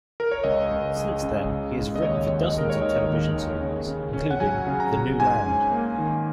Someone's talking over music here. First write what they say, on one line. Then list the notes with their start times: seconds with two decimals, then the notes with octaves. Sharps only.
Since then, he has written for dozens of television series, including "The New Land".
0.20 A#4
0.32 C#5
0.44 C#2 D#5
0.71 C#2
0.97 G#3
1.23 C#3
1.49 C#2
1.76 C#2
1.96 D#5
2.02 D#2 C#5
2.29 D#2
2.42 D#5
2.55 G#3 A#4
2.70 C#5
2.81 D#3 D#5
3.08 D#2
3.34 D#2
3.61 C#3
3.87 C#3
4.13 C#4
4.31 F#5
4.40 F#3 G#5
4.67 C#3
4.80 A#5
4.92 C#3
5.19 G#2 G#5
5.46 C#4
5.72 A#3
5.98 D#3